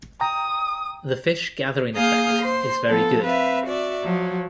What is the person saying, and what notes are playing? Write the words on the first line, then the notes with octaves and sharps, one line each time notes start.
The fish gathering effect is very good.
G5 A#5 D#6
A#3 G#4 F5 D#6 F6 G6
C5 C6
F3 B3 A4
C4 B4 E5 F5
F#4 D5 E5
F3 F#3